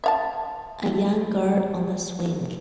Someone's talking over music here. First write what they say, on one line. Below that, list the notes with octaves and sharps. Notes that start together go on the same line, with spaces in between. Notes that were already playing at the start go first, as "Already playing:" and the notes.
A young girl on a swing.
E5 F5 A5